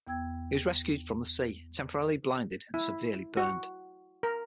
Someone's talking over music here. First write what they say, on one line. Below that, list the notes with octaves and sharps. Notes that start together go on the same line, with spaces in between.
He was rescued from the sea, temporarily blinded and severely burned.
E2 B3 G5 E6 G#6
E4
F#4
A#4